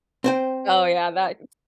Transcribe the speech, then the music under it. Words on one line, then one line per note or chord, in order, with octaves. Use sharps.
Oh, yeah. That
C4 C5 G5